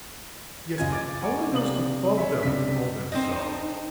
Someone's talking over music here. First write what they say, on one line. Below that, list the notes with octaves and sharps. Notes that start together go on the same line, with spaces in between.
"Yes; only those above them call them so."
F#1 F4 D#5 G#5 G#6
D6 A6
F#5 G#5 A#5 C#6 D6
C3 D4 F5 D#6 F#7
C#5 E5
C#2 C3 D4 B6
C4 D4 D#4 C5 D#5